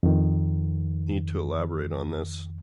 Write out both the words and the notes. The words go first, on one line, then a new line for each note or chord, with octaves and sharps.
Need to elaborate on this.
F2 D#3